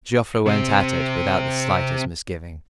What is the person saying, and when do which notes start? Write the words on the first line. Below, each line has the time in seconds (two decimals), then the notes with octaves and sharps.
Joffre went at it without the slightest misgiving.
0.46 C3 C4